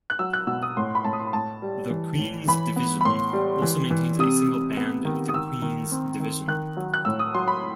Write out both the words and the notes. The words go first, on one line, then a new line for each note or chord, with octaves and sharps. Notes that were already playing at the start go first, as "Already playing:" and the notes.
The Queen's Division also maintains a single Band of the Queen's Division.
F#6
F#3 E6
F#6
B2 E6
D#6
A2 C6
B5
A2 A5
D#6
C6
B5
A2 A5
G3
E3
A2
E3 B5
B3
B5
A2 C6
G3
E3
E3
C3 D#6
C3
B3
D#3
D#6
D#3 E6
D#3
C4
D#3
D#3 F#6
F#3
F#6
A2 E6
D#6
F#3 C6
B5